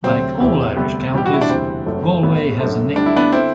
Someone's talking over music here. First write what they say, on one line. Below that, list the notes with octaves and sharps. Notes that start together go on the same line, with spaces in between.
Like all Irish counties Galway has a nickname.
D2 C3 F#3 C4
E1 E2 C3 E3
D2 C3 G3 B3
E2 B2 G3 B3 G4
F#4
E4
D4
E1 D2 C3 E3 G3 C4
F#1 F#2 F#3 A3
B1 A2 F#3 B3
F#2 D3 A3
D2 D3 G3 D4
E4
B3 D4
D3 C4 E4